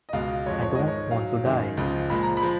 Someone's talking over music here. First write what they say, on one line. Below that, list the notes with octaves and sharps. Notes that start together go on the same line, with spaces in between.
I don't want to die.
D#5
C#2 B2 G#3 F5
F2 F3 G#3 C#5
C#5
G#2 D#3 G#3 D#5
C#5
G#2 F#3 F5
F#2 D#3 G#3
C#2 C#3 F3
A#2 F3 G#3 B5
A#5
B5
F3 G#3